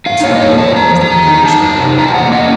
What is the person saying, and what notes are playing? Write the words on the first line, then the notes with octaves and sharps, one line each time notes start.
In spite of the darkness they began to scramble up the ladder.
D#4 F5
A#3 C#5
D#5
A#2 C#5
A#2 A5
F3 A#5
F3
A#5
D#3
D#4
A#5
D#4 A5
D#4
C3
F3 A#5
A5
A#3 F#5
C#4 D#5